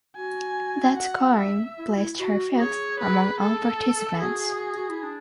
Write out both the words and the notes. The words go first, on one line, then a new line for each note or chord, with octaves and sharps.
That scoring placed her fifth among all participants.
F#4 G#5
F#5
E5
E4
F#4
E4
F#4
F#4
G#4 C#5
B4
A4
F#4 G#4
F#4
E4
D4